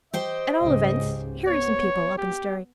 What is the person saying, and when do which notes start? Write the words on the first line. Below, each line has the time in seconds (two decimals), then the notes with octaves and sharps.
At all events here are some people up and stirring.
0.14 G4 C5 D#5 G5
0.62 C#2 G#2 C#3
1.47 B3 C#5
2.18 G4